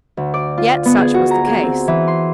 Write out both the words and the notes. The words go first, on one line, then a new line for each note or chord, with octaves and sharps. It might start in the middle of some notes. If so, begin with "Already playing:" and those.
Yet such was the case.
D2
D5
F4
B3
G#4
F#4
A#5
G#4
C4
E3
C6